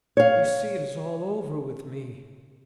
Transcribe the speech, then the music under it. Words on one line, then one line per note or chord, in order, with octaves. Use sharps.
You see it is all over with me.
C#5 F5